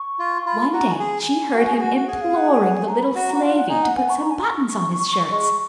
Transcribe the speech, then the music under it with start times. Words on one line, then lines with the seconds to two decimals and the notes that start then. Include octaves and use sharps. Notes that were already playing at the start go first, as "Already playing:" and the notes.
One day she heard him imploring the little slavey to put some buttons on his shirts.
Already playing: C#6
0.19 F4
0.46 F4 B5
0.60 B5
0.73 F#4 A#5
0.87 A#5
0.91 G#5
1.00 G#4
1.54 F#4
1.71 G#4
1.80 F#4
1.96 F#4
2.07 G#4 F#5
2.21 F5
2.34 F#5
2.47 G#5
2.61 F#5
2.74 G#5
2.88 A#5
3.01 B5
3.15 F#4
3.28 A#5
3.34 F#4
3.41 F4 F#5
3.56 F#5
3.69 D#4 G#5
3.82 F#5
3.96 B3 G#5
4.09 C#6
4.22 A#5
4.30 G#5
4.39 A#5
4.50 C#6
5.30 G#3 C#6